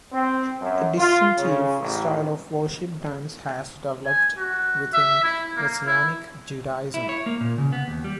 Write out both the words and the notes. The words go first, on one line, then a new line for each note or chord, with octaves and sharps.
A distinctive style of worship dance has developed within Messianic Judaism.
C4
F#2
F4
C#3
A1
G#5
F#4
E5
E4
A#3
E4
E4
C#5
A#3
A#2
C#3
B3
D#2
G3